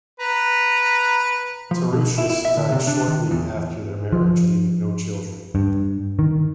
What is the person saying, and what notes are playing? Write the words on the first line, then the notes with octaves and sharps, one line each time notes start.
Tarutius died shortly after their marriage, leaving no children.
B4 A#5
F3
B2
E4
E4
E5
D3
C3
D4
D#3
E2
F3
G2
D#3